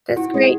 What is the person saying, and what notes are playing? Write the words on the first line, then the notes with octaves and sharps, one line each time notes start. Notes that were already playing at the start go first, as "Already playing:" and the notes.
That's great.
E4 F#4
G#3